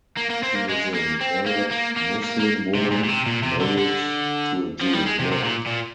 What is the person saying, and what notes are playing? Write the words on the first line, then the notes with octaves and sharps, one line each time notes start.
She is an Arab Muslim woman married to a Jewish man.
A#3
A#3
C4
A#3
G#3
A#3
C4
A#3
A#3
A#3
A#3
A#3
C3
A#2
A#2
C3
A#2
C3
D3
D3
F3
G3
G#3
C3
C3
A#2
A#2